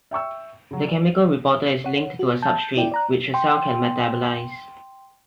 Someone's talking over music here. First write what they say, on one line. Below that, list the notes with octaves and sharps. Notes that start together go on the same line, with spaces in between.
The chemical reporter is linked to a substrate, which a cell can metabolize.
E5 G5 C#6 E6
C#3 F#3
D5
C#5 F#5
F#4
A5 G6
E4 D5 G5
D5 A#5 F#6
G5 C6